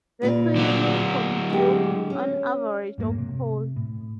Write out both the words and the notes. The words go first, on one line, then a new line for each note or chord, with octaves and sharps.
The two units consume on average of coal.
D2 A#2 B4
D3 F#3
G#3 G4
C#4
F2 G#2 G3 A#3
C3
A2